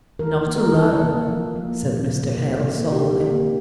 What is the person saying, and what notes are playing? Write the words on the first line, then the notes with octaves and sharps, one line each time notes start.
'Not alone,' said Mr. Hale, solemnly.
E3 A#4
A#3
A#4
E3 A4
A#3
F3
A#3
A#2
A#3
C3
A#3
C3 G4
A#3